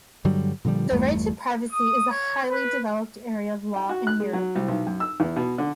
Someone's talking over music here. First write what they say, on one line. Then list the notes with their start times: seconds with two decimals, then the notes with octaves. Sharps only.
The right to privacy is a highly developed area of law in Europe.
0.25 G2 D3 F#3 G3
0.65 A#2 D3 F3 G3
0.91 G1 E2 G2 A3
1.71 D#6
2.11 C#5
2.49 B4
3.76 G5
3.89 F#4
4.07 F#6
4.20 G#3
4.33 F#3
4.56 C2
4.68 B1
4.87 F#2
5.00 E6
5.20 E2
5.36 B2
5.58 D3